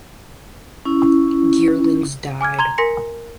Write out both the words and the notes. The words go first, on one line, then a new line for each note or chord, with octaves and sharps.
Geerlings died.
C#4 E4
G#5 D6 F6 G#6
A#5 C6 G#6 F7 G7
A#4 G#5 C6 A#6 B6 C#7